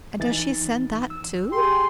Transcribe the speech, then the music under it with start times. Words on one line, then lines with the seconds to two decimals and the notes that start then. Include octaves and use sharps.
"And does she send that too?"
0.20 E3 D#4 A6
1.10 E6
1.52 G4 G#4 G5 C6